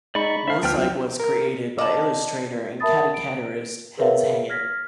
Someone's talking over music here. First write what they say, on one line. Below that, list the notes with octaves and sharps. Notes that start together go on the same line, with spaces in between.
"Mosaik" was created by illustrator and caricaturist Hannes Hegen.
G#3 D#4 D5 B5 C#6
C5 E5 F5
D2 F3 B3 D4 G5 F6
F3 F#3 G5
A#4
D5 D#5 A5
A#4 E5 A5 B5 D#6 A6
D7
G#4 A#4 B4 C#5 E5 F5
F6 G#6 A#6 B6